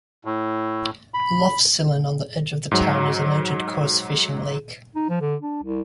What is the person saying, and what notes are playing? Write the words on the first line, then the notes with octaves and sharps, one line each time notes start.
Lough Sillan, on the edge of the town, is a noted coarse fishing lake.
A2
B5
G#2 F#3
D#4
F3
D3
D4
C2